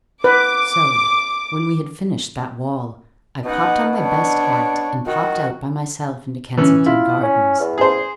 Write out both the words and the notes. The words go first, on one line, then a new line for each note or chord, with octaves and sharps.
So, when we had finished that wall, I popped on my best hat, and popped out by myself into Kensington Gardens.
B4 D6
B2 D#4 F#5
D4 C#5
D#3 F#4
E3 C#4
E4 F4
C#4
E2
G#4 C5